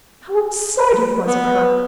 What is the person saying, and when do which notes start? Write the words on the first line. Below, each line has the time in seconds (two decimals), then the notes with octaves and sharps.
How absurd it was of her!
1.27 B3